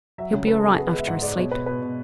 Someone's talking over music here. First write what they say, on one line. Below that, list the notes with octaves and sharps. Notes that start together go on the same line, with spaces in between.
He'll be all right after a sleep.'
F#3 E5
C#3 C#5
C#3 B4
A4
B3 G#4
F#4
B3 G#4
B4
G#3
E5
G#2 F#5
G#3 D5
B2 C#5
B2 B4
B2 B4
B2